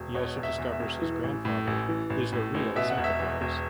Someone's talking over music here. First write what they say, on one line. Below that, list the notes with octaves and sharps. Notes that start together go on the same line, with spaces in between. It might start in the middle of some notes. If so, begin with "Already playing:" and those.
He also discovers his grandfather is the real Santa Claus.
Already playing: E1
B2 C#5
E1
E5
E2
E5
E1
E3
A1
A2
A1
E3
A1
A2
A1
B2 E5
F#5
E1
E5
E2
E1